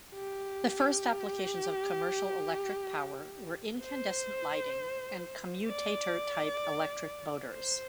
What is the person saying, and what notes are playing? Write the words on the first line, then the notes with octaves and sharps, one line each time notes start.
The first applications of commercial electric power were incandescent lighting and commutator-type electric motors.
G4
C5
D5
C5